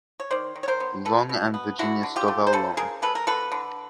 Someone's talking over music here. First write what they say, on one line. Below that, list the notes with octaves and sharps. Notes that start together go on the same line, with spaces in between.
Long and Virginia Stovall Long.
C#5
D#3 C5 D5
D#3
C#5
A#4 C5
B3
B2 A4 B4
B2
B3
D3 E4 F#4
D3
F4 G4
A3
C5
C#3 A4 B4
C#3 G#4 A#4
G#3 A4 B4
A#4
D3 A4 B4
D3